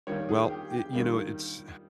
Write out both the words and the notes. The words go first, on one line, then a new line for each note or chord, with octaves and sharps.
well, it you know, it's
D#3 G3 A#3 C#5
G#4
G4
G4
D#3 G3 A#3